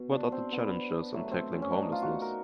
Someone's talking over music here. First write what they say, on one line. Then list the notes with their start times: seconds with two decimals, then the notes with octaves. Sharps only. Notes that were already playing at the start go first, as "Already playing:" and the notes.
What are the challenges in tackling homelessness?
Already playing: B2
0.11 D4
0.32 C4
0.52 B3
1.12 B2 F#3 A3
1.31 C4
1.52 C#4
1.62 C#4
1.72 D4
1.82 D#4
1.92 F4
2.02 F#4
2.22 A#4